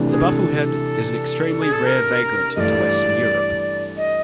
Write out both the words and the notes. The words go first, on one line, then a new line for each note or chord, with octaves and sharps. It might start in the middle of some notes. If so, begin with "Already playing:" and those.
The bufflehead is an extremely rare vagrant to western Europe.
Already playing: C3 E3 A3 D4
G#4
A4
G#4
A4
A#4
G2 E3 A3 D5 D#5
D#5